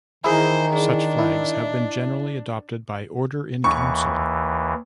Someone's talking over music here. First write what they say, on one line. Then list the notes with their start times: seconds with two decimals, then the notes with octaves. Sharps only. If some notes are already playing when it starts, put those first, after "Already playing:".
Such flags have generally been adopted by Order in Council.
0.24 E2 D#3 A#3 D#4 E4 G#4 C5
0.73 D4
1.18 E4
3.64 D#2 E3 C#6